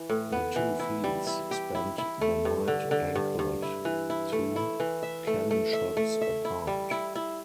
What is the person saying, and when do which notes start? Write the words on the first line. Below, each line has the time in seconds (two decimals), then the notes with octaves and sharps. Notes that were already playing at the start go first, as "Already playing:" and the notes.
The two fleets spent the night anchored two cannonshots apart.
Already playing: E3
0.10 A2
0.32 B3
0.56 E3
0.80 E4
1.04 G3
1.27 E4
1.51 G4
1.75 E4
1.98 E4
2.21 A3
2.45 G2
2.68 D3
2.91 D3
3.16 G2
3.39 G2
3.62 E4
3.85 E3
4.10 E4
4.33 A3
4.56 E4
4.80 E3
5.03 E5
5.27 A3
5.51 A3
5.73 E5
5.97 A3
6.21 E5
6.45 E4
6.67 G3
6.91 E4
7.15 E4